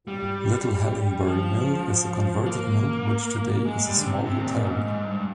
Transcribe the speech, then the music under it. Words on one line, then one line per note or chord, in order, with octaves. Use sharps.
Little Hallingbury Mill is a converted mill which today is a small hotel.
G3
F3
A#3
G#3
G3
D3
C3
C3
G#2
A#2
G#2
G#2
G2